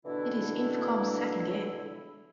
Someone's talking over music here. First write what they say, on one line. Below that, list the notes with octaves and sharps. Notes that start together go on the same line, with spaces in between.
It is Infocom's second game.
B2 D3 E3 D4 E4